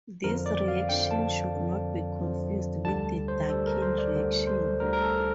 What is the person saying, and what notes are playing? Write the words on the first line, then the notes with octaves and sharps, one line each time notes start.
This reaction should not be confused with the Dakin reaction.
F2 D3 F3 A#4
D5
F5
F2 D3 F3 G5
A5
F2 D3 F3
F2 D3 F3
D2 D3 G3 A5
C5
D2 D3 G3 A4
A#4
C5
D5
D2 D3 G3
C5
D2 D3 G3 A#4
A#4
A4